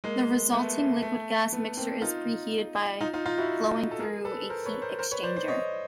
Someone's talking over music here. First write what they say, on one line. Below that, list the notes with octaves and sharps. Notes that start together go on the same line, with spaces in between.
The resulting liquid-gas mixture is preheated by flowing through a heat exchanger.
G#3 A#3
A3 B3
A3
A3
A3 B3
A#3 C4
D#4 F4
D#4 F4
D#4 F4
D#4 F4
E4 F#4
A4
G#4 A#4
A4 B4
A#4 C5
B4 C#5
A#4 C5
A#4 C5
B4 C#5
C5 D5
C5 D5
C#5 D#5